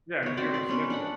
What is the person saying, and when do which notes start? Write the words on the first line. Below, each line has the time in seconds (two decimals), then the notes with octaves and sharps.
Yeah, 'cause you're on a schedule.
0.23 B3 C#5
0.37 C4 F#4 D5 G5
0.54 D5 C6
0.69 B3 C#4 B4
0.90 D4 F#5 B5